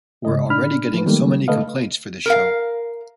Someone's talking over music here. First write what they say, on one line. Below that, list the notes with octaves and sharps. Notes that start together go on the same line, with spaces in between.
We're already getting so many complaints for this show!
G#2 C#3 G#3 D#5
A2 D4 B5 F6
F3 E4 B4
D#3 F#3 G3 A3 A#3
D3 A3 A4 B4 D#5 F5
A#4 F5